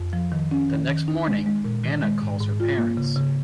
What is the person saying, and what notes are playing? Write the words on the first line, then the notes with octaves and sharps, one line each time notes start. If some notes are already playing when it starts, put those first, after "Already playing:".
The next morning, Anna calls her parents.
Already playing: F2
F3
D#3
C#4
D#3
D#3
D#4
G#3
G#3
A#2
D#3
G#3
G#2
G#2
F4
A#3
C#3
C#3